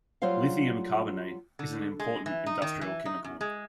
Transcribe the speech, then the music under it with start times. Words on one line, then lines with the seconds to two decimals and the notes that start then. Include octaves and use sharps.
Lithium carbonate is an important industrial chemical.
0.22 F#3 G3 F4 C5 F5
1.59 D3
2.00 G#3
2.26 E3
2.46 D#4
2.62 D#3
2.81 E3
3.06 D#4
3.24 F#2
3.41 G#3